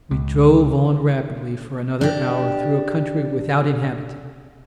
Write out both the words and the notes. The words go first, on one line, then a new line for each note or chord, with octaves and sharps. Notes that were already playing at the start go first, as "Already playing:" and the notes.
We drove on rapidly for another hour through a country without inhabitants.
C#2
D4 G4